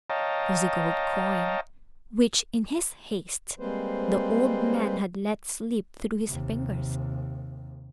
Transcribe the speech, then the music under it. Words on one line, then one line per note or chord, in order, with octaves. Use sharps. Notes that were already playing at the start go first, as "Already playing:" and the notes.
It was a gold coin, which, in his haste, the old man had let slip through his fingers.
C#5 D#5 F5 G5 A5 A#5
G3 G#3 A#3 C4 B4 C5
D#2 C3